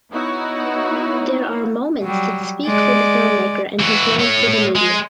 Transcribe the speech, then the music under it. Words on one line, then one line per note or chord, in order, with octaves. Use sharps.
There are moments that speak for the filmmaker and his love for the medium.
B3 D#4 E4 F#4 C#5
F#3 G3
G#3 D5
E3 F#4
A3 C#5
G#3